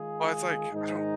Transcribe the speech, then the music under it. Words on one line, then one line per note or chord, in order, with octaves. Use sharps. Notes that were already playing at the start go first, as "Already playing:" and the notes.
Well, it's, like, I don't
Already playing: D#3 G#3 F4 G#4
G#2 D#3 G#3 D#4